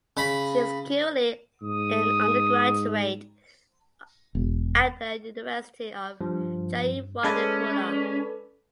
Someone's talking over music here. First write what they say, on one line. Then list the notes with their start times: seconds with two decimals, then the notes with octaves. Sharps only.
She is currently an undergraduate at the University of Jayewardenepura.
0.17 C#3 B5
1.62 G#2 D#6
4.35 E1
6.21 G2 F3
7.24 G#3 C#4 A4 B4 D5